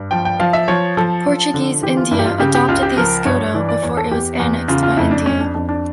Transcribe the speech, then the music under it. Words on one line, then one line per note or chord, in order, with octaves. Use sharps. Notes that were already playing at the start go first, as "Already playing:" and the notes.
Portuguese India adopted the escudo before it was annexed by India.
Already playing: G2
F3 G5
G5
F3 F5
E5
F3 C#5
F3 A4
F3
D3
E3 G4
F4
G2 E4
G4
F4
C#3 G4
G4
C#2 F4
G4
F3 A#4
G2 C#5
E3 D5
D5
E2 C#5
A4
E2 G4
E2
C#3 F4
F4
F2 E4
D4
F2 C#4
D4
F2 D4
D4